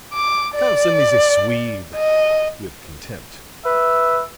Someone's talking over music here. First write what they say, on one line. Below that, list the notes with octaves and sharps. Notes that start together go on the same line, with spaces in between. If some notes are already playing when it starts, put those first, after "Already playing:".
"Karlson is a Swede," with contempt.
D6
D5
D#5
B4 E5